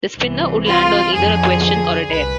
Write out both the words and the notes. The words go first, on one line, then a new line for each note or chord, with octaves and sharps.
The spinner would land on either a question or a "dare".
C2 C3 E3
F4
F2 D3 F3 G#4
C2 B4